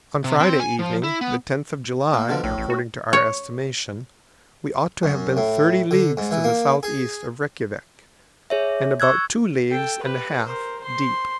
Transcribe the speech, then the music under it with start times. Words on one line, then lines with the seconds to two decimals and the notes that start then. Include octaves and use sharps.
On Friday evening, the tenth of July, according to our estimation, we ought to have been thirty leagues to the southeast of Reykjavik, and about two leagues and a half deep.
0.24 C3
0.40 C4
0.60 G#5
0.79 F3
1.04 E4
1.21 B3
2.13 A#3
2.28 B2 D3 F3
2.44 A#1 A2
2.58 A1
2.70 F#4
3.13 C#5
5.03 F#2
5.37 A2
5.91 D3
6.17 G#2
6.31 E3
6.44 A#3
6.83 G#4
8.50 G#4 C#5 E5
9.00 C#6 E6 F#6 G#6
9.71 A4 G5
10.03 G4 B4
10.44 A#4 C5
10.80 C5 C6